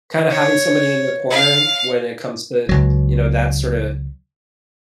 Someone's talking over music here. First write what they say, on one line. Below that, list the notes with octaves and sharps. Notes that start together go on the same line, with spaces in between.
Kinda having somebody in your corner when it comes to, you know, that sorta
C#5
F5
C#2 F#3